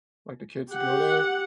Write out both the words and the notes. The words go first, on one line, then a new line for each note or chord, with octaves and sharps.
like, the kids to go there,
G4 F#5